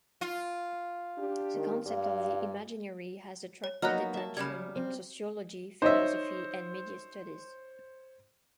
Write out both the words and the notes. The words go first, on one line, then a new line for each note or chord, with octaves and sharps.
The concept of the imaginary has attracted attention in Sociology, Philosophy, and Media studies.
F4
D4 G4
D#3
G2 F5
C#5
F#3 A#3 B3 D#4 D#5 A#5 F6 F#6
E5 A5
C#3 G3 B5 G#6
C4
D#4 C5 C#5 D#5 E5